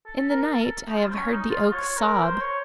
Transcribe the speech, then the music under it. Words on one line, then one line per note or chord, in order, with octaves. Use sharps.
In the night I have heard the oak sob.
A4
A#4
A4
D#4
F4
C4
C#4
D#4
F4
C#5
A#4
C5
C#5